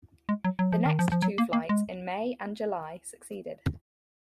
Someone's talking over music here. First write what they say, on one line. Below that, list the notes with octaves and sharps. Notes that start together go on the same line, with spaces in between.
The next two flights in May and July succeeded.
G#3
F#3
F#3
F3
D#3
F3
F3
F#3
A#3
A#3
G#3